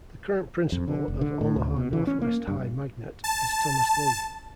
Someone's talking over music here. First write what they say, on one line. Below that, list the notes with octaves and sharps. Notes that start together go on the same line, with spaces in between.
The current principal of Omaha Northwest High Magnet is Thomas Lee.
F2
D3
F1
D3
A2
D2
B2
E3
C#4
A#3
G2
A5